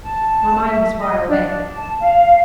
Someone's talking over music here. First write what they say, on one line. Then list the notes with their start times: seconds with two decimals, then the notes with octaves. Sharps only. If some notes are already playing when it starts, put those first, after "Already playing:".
My mind was far away.
0.04 A5
0.67 E5
1.00 D#5
1.28 D4
1.74 A5
2.01 F5